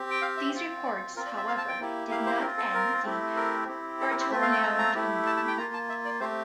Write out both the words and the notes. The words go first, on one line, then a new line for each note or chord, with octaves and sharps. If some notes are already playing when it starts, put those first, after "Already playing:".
These reports, however, did not end the Bertoleone "kingdom".
Already playing: C4 G4
G5
F5
E5
C4 F4
D5
C4 F4 A#4
D5
E5
F5
A5
G5
A#3 E4 G4
F5
C5
C4 F4 A#4
A4
A#4
A3 C4 E4 G4
A#4
C4 E4 G4
A4
A#4
C5
A3 C4 F4 E5
F5
G5
A#5
A#5
A3 E4 G4
A5
A5
G5
A#3 F4 A#5
A5
E5
D5
A3 C4 G4 C5